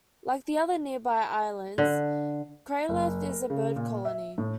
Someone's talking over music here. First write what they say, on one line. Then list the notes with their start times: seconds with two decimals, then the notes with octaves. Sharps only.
Like the other nearby islands, Craigleith is a bird colony.
1.78 D3
2.89 F#1
3.29 A#4
3.50 C#3
3.76 A#2
4.05 E5
4.38 A2